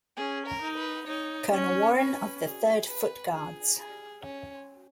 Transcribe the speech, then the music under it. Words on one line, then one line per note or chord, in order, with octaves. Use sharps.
Colonel Warren of the Third Foot Guards.
C#4 G#4
A#4
D#4
B4
D#4 C#5
C#4 C#5
C#4 B4
G#4
B4
G#4
G#4
C#4